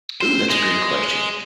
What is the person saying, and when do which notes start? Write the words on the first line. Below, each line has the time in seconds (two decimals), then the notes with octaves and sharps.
Ooh, that's a great question.
0.21 C5
0.50 G#3